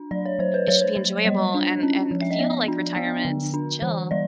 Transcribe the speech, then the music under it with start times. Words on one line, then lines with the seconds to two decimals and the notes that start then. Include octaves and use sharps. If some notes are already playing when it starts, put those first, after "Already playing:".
It should be enjoyable and and feel like retirement. Chill.
Already playing: D4
0.11 F#3 D5
0.26 C#5
0.39 F#3 C5
0.54 B4
0.68 F#3 C#5
0.81 C5
0.95 F#3 C#5
1.25 G3 D#5
1.54 D4
1.83 C#4
2.11 F3
2.21 E5
2.30 D#5
2.39 B3 D5
2.68 D4
2.96 B3
3.25 D3
3.54 D4
3.82 E3
4.11 G3 D5